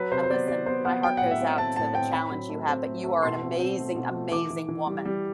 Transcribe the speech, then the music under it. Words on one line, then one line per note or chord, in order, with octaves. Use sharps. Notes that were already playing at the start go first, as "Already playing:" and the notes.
l listen, my heart goes out to the challenge you have, but you are an amazing, amazing woman.
Already playing: F#3 B4
C3 C5
C5
B3 D5
B3 D5
B3 C5
B3 F#5
F#3 G5
A2 F#5
E5
C4
C4 A5
A2 A5
C4 G5
C4 B5
F#3
A3
C4
A3
A3
B2 C6
C4
C4
A3
B2
A3
E3 D6
E3
E3
G3
G3